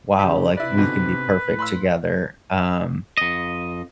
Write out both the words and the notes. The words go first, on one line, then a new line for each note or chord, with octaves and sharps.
"Wow," like, "We could be perfect together," um,
C#3 G4
C3 E4 B4 D5
G#2 B2 D3
A2
B5 C6 E6
F2 D#5